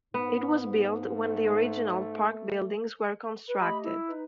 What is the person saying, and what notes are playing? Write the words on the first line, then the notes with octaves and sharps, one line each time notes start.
It was built when the original park buildings were constructed.
G#2 B3
A3
B4
A3 G4 D#5 B5
E4
D#4 B4